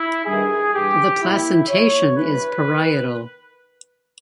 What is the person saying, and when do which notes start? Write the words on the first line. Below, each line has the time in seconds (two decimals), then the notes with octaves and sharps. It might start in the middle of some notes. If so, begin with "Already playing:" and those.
The placentation is parietal.
Already playing: E4
0.25 G2 D#3 G#4
0.74 G2 E3 G4
1.22 A#2 E4
1.68 A#2 C#5
2.16 G2 E3 B4
2.64 D#3